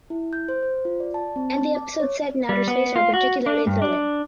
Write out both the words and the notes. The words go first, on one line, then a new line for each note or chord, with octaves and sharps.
And the episodes set in outer space are particularly thrilling.
E4
G6
C5
C5
F4
D5
A5
C4
A5
D6
C#5
G3
B3
F4
F#4
D4
G2
D4